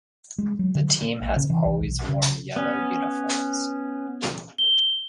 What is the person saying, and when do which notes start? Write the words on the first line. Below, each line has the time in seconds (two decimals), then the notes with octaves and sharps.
The team has always worn yellow uniforms.
0.38 G#3
0.59 F#3
0.75 D3
1.02 A#3
1.21 A#1
1.36 C#3
1.50 E3
1.65 C2
1.83 B1
2.08 C#3
2.56 B3 C#4
4.58 G7